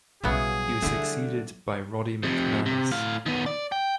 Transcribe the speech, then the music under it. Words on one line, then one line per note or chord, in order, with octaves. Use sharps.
He was succeeded by Roddy McManus.
B1 C#3 F#3 G3 B3 E4 G#4
D3 G3 A3 D4 E4
F2 C3
C3
A2 F5
D#3 B3
D5
G5